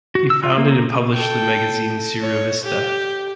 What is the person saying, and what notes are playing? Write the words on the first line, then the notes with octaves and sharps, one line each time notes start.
He founded and published the magazine "Sua Revista".
F#4
E6
F4
A#3
A#4
A4 G5
C#5
G4